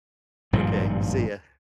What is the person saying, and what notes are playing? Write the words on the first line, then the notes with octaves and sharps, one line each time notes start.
Okay. See ya.
G#1 G2 A#2 F3